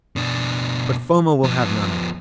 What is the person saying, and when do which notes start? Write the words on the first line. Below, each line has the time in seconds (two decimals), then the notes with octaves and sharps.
But Foma will have none of it.
0.16 B2 D4
1.44 F3 B3